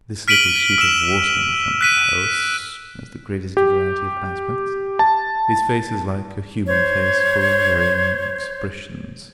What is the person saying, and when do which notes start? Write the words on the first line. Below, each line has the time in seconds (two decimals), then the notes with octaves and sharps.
This little sheet of water in front of the house has the greatest variety of aspects; its face is like a human face, full of varying expressions.
0.28 F6 B6 D7 D#7 F#7 G7
0.78 E6 E7
1.81 F#6 B6 D#7
3.57 G4
4.99 A5
6.66 C5 C#5